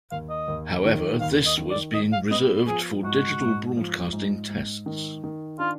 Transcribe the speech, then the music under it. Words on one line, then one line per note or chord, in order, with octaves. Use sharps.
However, this was being reserved for digital broadcasting tests.
D#2 F5
D#5
D#2
D#3
D#2 F5
D#5
D#3
D5
G#2 D#5
F5
B3 D#5
F3 G#4
G#2 F#4
G#2
F3
G#2
G#2
D#3
D#3
D4 F4